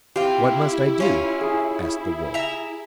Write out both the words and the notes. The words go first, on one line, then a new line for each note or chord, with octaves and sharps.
"What must I do?" asked the Wolf.
C4 E4 F4 G4
C#4 F4
G#4
E5 A#5